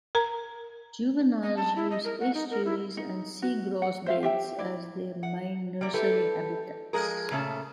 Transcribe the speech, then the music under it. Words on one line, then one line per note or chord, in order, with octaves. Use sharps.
Juveniles use estuaries and seagrass beds as their main nursery habitats.
A#4 A#5
D#5
A5
E4
D#5
A#4
F#5
D#4
A#4
E4
D#4
F#4
F#5
C5 E5 F5
G4 E5 G5
E4 D5
F#5
G3 A#3 D5
E4 G4 A4 B4
F3 G#3 G#4 A#4
A#2 C#3 A3 C#4 A5